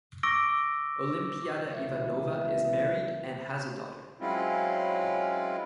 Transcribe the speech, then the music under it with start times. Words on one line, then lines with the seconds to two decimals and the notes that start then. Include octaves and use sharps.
Olimpiada Ivanova is married and has a daughter.
0.23 C#6 D6 E6 A#6 D7 G7
1.73 C#2 B2 E3 A#3 B4 E5
4.21 F#3 G#3 C4 C#4 E4 F4